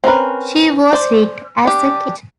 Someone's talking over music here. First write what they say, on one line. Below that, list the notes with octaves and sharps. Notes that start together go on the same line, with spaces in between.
She was rigged as a ketch.
C4 C#4 A#4 B4
C5 D5
D4 G4